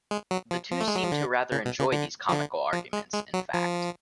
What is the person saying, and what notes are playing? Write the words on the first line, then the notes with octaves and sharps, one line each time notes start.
The two seem to rather enjoy these comical arguments, in fact.
G#3
F#3
F3
F3
A3
G#3
F#3
F3
D3
C#3
B2
C#3
D3
F3
D3
F3
G#3
G#3
F#3
F3